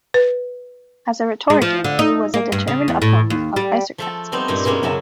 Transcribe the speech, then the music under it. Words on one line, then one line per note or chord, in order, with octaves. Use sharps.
As a rhetorician, he was a determined opponent of Isocrates and his school.
B4
G#3
F3
D3
D#4
A#3
G2
C#3
E2
A2
D#2
G3
F3 A3 A4
G3 B3 C4 D#4 C5
G2 A#2 G3 D#4 E4
B2 G#3 A#3 C#4 G#4
F#2 C#3 F#3 E5 A5